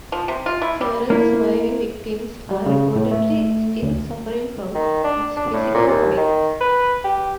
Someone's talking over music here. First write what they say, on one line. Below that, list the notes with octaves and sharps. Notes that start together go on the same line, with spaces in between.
Several surviving victims are reportedly still suffering from its physical effects.
F3
C3
F4
E4
G3
A#3 E4
G3
C#3
A2
A3
D2
D#3
D4
D4
A2
A#2
D#2
D#3
B4
G4